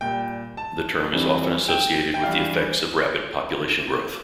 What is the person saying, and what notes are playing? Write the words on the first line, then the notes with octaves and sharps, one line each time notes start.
The term is often associated with the effects of rapid population growth.
A#2 G3 G5
A5
F2 E3 G3
G5
G5
G2 E3 G3 F5